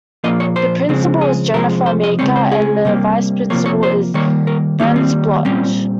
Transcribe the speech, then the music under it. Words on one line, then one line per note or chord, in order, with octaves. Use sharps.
The principal is Jennifer Meeker and the vice-principal is Brent Bloch.
A#2 F3 A#3 D#5
C#5
C5
C#3 F3 G#3 C4
G#4
C3 F3 G#3 A#4
C5
D#5
C#3 G#3 C4 C#5
C5
G#4
C3 G3 A#3
C3 F3 A#3 C#5
C#5
C5
D#3 G3 A#3 C#5
A#4
D#3 G3 A#3 D#4
C4
A#2 G3 C4 C#4